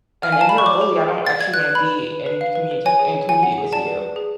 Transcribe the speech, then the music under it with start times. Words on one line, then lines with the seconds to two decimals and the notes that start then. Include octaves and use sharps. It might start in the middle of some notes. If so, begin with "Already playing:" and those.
And if you're a bully, I don't actually want to be in communica in community with you
0.23 F5 F6
0.32 G#5
0.37 F5 A5
0.49 D5 B5
0.58 C#6
0.66 C#5 D6
0.81 G#4
0.96 G#4
1.10 B4
1.25 F5 A6
1.39 D5 G#6
1.54 B4 F#6
1.69 B4
1.75 B5
1.84 B4
1.98 B4
2.12 B4
2.26 B4
2.41 F5
2.55 B4
2.71 B4
2.86 C#5 G#5
2.99 G#4
3.15 C#5
3.29 F#5 G#5
3.43 F#5
3.58 G#4
3.72 D5 A5
3.87 B4
4.01 B4
4.16 G#4